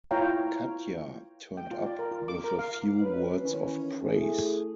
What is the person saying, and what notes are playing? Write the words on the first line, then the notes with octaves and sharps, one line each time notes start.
Katja turned up with a few words of praise.
E4 F4 C#5 F5 G5 A#5
G5
F4
D5
A#4
F4
D6
A#4
F5
F#3 B4
D#3 E3 C#4
A3 E4 G#4